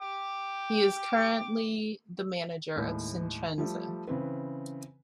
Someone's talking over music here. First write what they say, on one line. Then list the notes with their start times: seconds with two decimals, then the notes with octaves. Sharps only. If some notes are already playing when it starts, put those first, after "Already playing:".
He currently is the manager of Sintrense.
0.02 G5 D6
2.76 D#2 A2 G#3
3.58 F3 G3 A3
4.07 C#3 E3 C4 B4